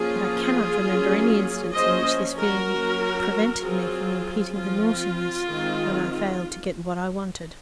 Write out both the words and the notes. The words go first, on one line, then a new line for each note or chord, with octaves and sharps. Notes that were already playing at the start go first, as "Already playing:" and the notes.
But I cannot remember any instance in which this feeling prevented me from repeating the naughtiness when I failed to get what I wanted.
Already playing: F3 A#3 C#4 F4 G#4
F#3 A#3 C#4
F3 A#3 C#4 C5 D#5
F#4 A#4
F#3 A#3 C#4
F#3 C4 F4 G#4
F3 C4 F4
D#3 G#3 C4